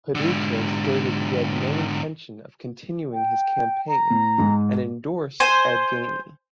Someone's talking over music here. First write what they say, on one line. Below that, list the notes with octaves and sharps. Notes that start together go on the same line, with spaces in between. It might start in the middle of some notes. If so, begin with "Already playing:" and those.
Peduto stated he had no intention of continuing his campaign and endorsed Ed Gainey.
G#2 D3
G5
A#5
A2
G#2 G#3
C5 G#5